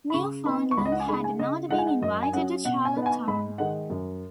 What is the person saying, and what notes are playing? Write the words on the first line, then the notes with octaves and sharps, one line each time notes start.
Newfoundland had not been invited to Charlottetown.
B5
C#3 C#6
B3 D#4 B5
C#6
C#2 B5
D#5
F#5
G#5
C#3 G#3 D#4 B5
G#5
C#3 D#5
G#3 D#4 F#5
G#5
F#5
F#2 D#5
G#5
F#3 C#4 F#5
B2 F#5
G#5
B3 D#4
F#5
G#5
G#2 B5
D#3 G#3 D#4 F#5
F#2